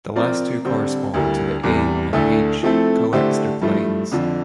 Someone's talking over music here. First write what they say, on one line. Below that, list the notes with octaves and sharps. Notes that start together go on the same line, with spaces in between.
The last two correspond to the A and H Coxeter planes.
F3 C4 F4 A#4 D5
D3 G3 C4
D2 D3 G3 A#3 E4
E2 C3 E3 G3
D2 D3 A3 E4 A4
F3 A3 C4 E4 A4
D3 A3 E4 G4 C5
G2 F3 A3 E4
F2 D3 F3